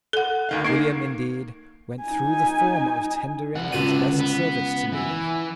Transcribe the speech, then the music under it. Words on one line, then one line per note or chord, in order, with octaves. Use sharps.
William, indeed, went through the form of tendering his best services to Lewis.
A4 F#5
D2 D#3 F5
A#3 D#4 G#6 C7
D#4 G#5
C2 F#5
C#2 D3 B3 F#4 D#6
B3
E3